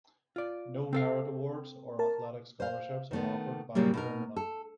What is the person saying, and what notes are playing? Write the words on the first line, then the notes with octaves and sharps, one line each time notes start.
No merit awards or athletic scholarships are offered by Pomona.
F4 D5
C4 A4 F5
A#4 A5
C5 F5
D#3 A3 B3
A#2 C#3 F#3 G3 A#3
B2 D#4 A#4
A4